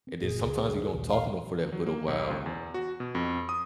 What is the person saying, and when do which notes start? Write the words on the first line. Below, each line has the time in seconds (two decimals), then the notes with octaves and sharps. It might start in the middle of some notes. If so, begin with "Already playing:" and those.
and then sometimes you don't talk to 'em for that little while,
0.07 C4
0.21 F#1 A#2 G#4
0.42 C#2
0.93 A#1 D#2
1.10 F5
1.72 F#3
1.86 A#3
2.08 B1
2.30 C#2
2.46 E2
2.74 F#4
3.00 B2
3.15 F2
3.49 D#6